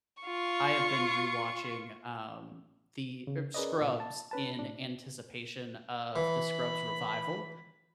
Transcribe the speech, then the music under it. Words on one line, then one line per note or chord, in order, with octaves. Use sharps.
I have been rewatching, um, the er Scrubs in anticipation of the Scrubs revival.
F4 C#6
C#3
C#4 G#4 A#4 B4 D5 D#5
A#2 F4
A5
C#4 B4 A5
A2 D4
E3 B5